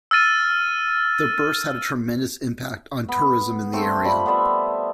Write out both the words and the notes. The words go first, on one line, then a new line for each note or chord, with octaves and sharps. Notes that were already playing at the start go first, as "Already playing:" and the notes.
Their births had a tremendous impact on tourism in the area.
E6 F6 A6 D#7
B3
A3 C4 G5 A5
F3 G3 D5 B5
B3 C5 D5 E5